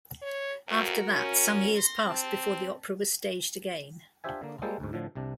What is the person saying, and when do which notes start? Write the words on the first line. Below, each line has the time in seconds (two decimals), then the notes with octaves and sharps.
After that some years passed before the opera was staged again.
0.22 C#5
0.68 F2 F#4 A#4
1.12 C#4
1.76 C6 A#6
2.06 C4 A5
4.24 D4 F4 G4 C5 E5 G#5
4.41 D3 A#3
4.62 G3 G#3 A#3 G#4 A4 C5
4.80 D2 G#2
4.93 A2 D3 F3
5.15 C2 C3 D4